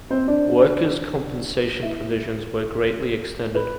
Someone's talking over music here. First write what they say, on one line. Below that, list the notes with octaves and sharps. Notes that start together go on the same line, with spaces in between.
Workers' compensation provisions were greatly extended.
C4 C5
D4 D5
E4 E5
B4